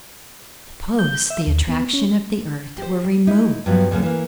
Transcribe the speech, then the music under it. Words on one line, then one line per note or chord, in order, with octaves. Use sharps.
Suppose the attraction of the earth were removed?
G6
E5
D#2
B3
C#4
G4 C5
G3
D#4 E4
G2 F3 F#3 B3
D2 C#3 F#3 A#3 C#4
E3 A#3